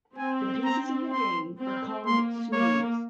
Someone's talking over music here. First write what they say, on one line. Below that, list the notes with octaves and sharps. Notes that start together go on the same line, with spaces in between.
The pieces in the game are called "Snoods".
C4 G#5
A#5
C6
C4
A#3 C6
A#3 C#5